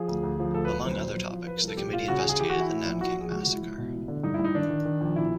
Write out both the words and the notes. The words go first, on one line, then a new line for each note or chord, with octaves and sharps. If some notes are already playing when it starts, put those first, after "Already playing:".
Among other topics, the committee investigated the Nanking Massacre.
Already playing: F3 G#4
D2
D2
F3
D2 A4
B4
D2
B1 C5
A#2
B1
F3
F3 B4
A#4
C2
A4
A#2 G4
C2 F4
C#3 F#4
G#4
C#3
G#4
E3 G4
E3 F#4
E4
A2
A#1
A#1 F#4
A#1 G#4
C#2 F#4
F#4
C#2
E4
C#2
B2
A1
D3
G2 D#4
E4
G2 D#4
D#3 D4
D#3
D#3
A#1
B2 E4